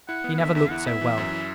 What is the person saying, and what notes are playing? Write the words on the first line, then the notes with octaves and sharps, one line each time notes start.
He never looked so well.
E4 F#5
B3
F#5
D3 E5
E2 E5
E4 F#5
B3 E5
E3
F#2
E4